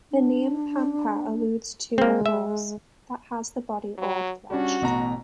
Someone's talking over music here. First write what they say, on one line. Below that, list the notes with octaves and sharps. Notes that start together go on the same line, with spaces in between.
The name Pampa alludes to a horse, that has the body all threshed.
D4
G#3 A#3 C4
E5
F#3
G3 C#4 D4 F#4
A1 B2 A#5